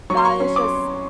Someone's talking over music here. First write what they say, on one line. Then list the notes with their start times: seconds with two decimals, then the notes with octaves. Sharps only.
that is just
0.10 F#3 C#6
0.17 C6
0.25 C#6
0.40 C#4
0.56 D6